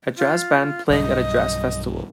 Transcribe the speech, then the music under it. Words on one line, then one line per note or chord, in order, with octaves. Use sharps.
A jazz band playing at a jazz festival.
F4
B1 G2 D#5